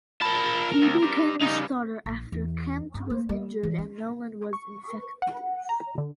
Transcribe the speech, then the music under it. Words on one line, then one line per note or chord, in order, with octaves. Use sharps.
He became the starter after Kempt was injured and Noland was ineffective.
F4 A#4 A5 B5
D2
D4 G4
C#3 G3 D#4
A#1
E2
G2
A#3
G3
E3
C#4
C#6
F#5
A#5
D3